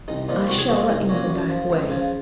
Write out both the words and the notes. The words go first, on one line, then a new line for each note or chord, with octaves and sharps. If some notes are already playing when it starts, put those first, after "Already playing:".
I shall let you in the back way.
C2 D#4
A#2 F3 D#4
C2 F#4
G#4
A#2 F3 F#4
F4
C2 D#4
A#2 F#3 C#4
F#2
F3
C#2
C#3 F3